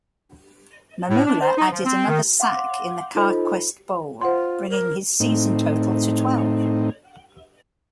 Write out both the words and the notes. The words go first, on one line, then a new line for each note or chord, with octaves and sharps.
Mamula added another sack in the Carquest Bowl, bringing his season total to twelve.
A2
D4
C5
D#4
F3
C4
D#3
F5 F#5 C6 D6
D#4 F4 A4 C5 D#5 B5
F4 C5 F#5 C6
A#4
A2 C4 D#4